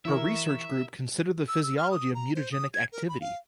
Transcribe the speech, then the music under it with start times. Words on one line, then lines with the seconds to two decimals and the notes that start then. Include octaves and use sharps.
Her research group consider the physiology of mutagenic activity.
0.05 E3 E4 A#4 E5 C#6
1.48 E6
1.63 E6
1.77 F6
1.91 D#6
2.15 A#5
2.35 C5
2.52 D#6
2.74 G#6
2.92 A#4
3.09 B5
3.21 F5